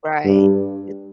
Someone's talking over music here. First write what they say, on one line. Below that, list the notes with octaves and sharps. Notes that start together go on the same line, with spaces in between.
right. I
G2